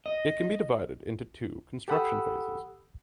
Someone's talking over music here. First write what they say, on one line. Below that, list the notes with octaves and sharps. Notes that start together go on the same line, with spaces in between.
It can be divided into two construction phases.
D#5
G4 A4 F#5 B5 D#6 E6